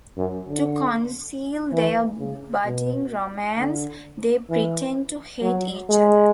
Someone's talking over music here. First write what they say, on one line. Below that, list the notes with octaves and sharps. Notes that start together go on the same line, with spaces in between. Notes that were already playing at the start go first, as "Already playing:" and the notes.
To conceal their budding romance they pretend to hate each other.
F#2
D3
E3
C#3
B2
D3
E3
F#3
G#3